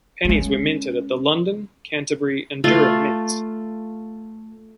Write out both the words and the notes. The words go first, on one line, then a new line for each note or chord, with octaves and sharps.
Pennies were minted at the London, Canterbury, and Durham mints.
G#3 C#4
A3 F4